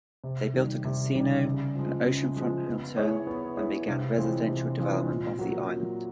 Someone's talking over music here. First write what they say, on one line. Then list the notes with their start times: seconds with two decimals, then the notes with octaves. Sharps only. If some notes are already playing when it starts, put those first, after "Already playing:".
They built a casino, an oceanfront hotel and began residential development of the island.
0.24 C3
0.54 D#3 G3
0.85 C3
1.15 D#3 G3
1.45 C#3
1.75 F3 G#3
2.06 C#3
2.37 F3 G#3
2.66 B3
2.96 E4 G#4 C#5
3.27 B3
3.57 E4 G#4 C#5
3.88 C3
4.17 E3 G#3 C4 F4
4.48 C3
4.78 E3 G#3 C4 F4
5.08 A#2
5.39 F#3 A#3
5.69 A#2